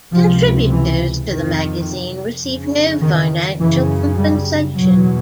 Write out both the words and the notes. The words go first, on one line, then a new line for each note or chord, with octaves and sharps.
Contributors to the magazine receive no financial compensation.
C#2 C3 F3
E3
F2 C3 D#3
F2 C#3
D#3
F#2 C#3 E3
G3
E2 B2 F#3